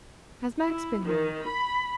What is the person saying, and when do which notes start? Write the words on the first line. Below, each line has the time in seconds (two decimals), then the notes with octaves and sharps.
"Has Max been here?"
0.66 E4
1.04 D#3
1.44 B5